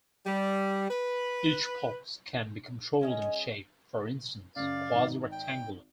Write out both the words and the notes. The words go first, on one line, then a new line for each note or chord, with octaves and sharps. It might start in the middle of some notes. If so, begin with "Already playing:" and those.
Each pulse can be controlled in shape, for instance, quasi-rectangular.
G3
B4
G#3 C#4 D#5
F#2 C#3 D5 F5
G#1 D#4
G5